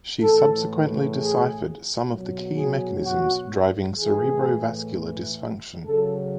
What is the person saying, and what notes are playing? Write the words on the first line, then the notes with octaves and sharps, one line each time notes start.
She subsequently deciphered some of the key mechanisms driving cerebrovascular dysfunction.
A2 E3 A4
G#4
B2 F#3
G#4
F#4
A2 E3 G#4
C#3 F#3 A4